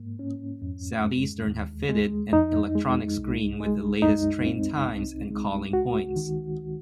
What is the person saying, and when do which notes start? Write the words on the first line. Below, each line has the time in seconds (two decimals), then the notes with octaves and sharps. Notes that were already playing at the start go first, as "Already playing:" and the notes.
Southeastern have fitted an electronic screen with the latest train times and calling points.
Already playing: G#2 A#3
0.19 C#4
0.62 F2
1.04 G#3
1.47 D#2
1.89 G#3
2.32 F2 D#4
2.75 G#3
3.17 C2
3.60 G#3
4.02 F#2 D#4
4.46 C4
4.88 C2
5.30 G#3
5.73 C#2 F#4
6.16 D#3